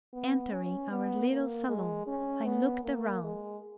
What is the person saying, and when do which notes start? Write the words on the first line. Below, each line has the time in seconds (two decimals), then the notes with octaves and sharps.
Entering our little salon, I looked around.
0.13 B3
0.52 C#4
0.91 B3
1.30 A#3
1.68 G#3
2.07 C#4
2.45 B3
2.84 A#3
3.23 G#3